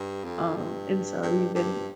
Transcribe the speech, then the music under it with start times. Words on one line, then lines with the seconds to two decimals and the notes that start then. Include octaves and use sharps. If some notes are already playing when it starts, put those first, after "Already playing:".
Um, and, so, even
Already playing: G2
0.24 F2
0.57 G2
1.22 G2
1.55 G2